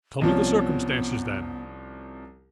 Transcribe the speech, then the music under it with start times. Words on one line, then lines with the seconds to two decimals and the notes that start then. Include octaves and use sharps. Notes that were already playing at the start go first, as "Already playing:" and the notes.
"Tell me the circumstances, then."
0.21 C2 F3 B3 C#4